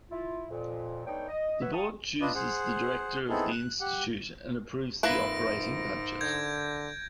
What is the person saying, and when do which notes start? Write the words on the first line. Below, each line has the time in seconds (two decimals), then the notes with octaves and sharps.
The Board chooses the Director of the Institute and approves the operating budget.
0.11 E4 F4
0.50 F2 A#2
1.06 A3 B3 D4 D#4 C#5 G5
1.29 D#5
1.61 F#4 B4 C#5 E5
1.73 F5 G5 A5 A#5 C#6 D#6
2.21 D4 F4 B4 D5 D#5
2.35 G#4 C5 F#5
3.29 B3 C4 D#4 E4 G#4 A4
3.51 F#6
3.80 G4 F#5
5.03 F2 G#2 A#3 E4 B4 A#6 D7
6.21 D3 G6 G#6